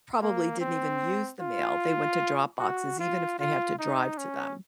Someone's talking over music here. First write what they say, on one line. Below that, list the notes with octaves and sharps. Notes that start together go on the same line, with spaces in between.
probably didn't even use the mail. They went to drop boxes even if they had to drive to them.
A#3
C4
F4
F#4
F4
F4
D#4
C#4